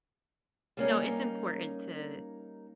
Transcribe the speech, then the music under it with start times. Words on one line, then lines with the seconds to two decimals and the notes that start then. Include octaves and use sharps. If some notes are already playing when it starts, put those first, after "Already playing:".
No, it's important to
0.77 G3 A#3 C#4 D#4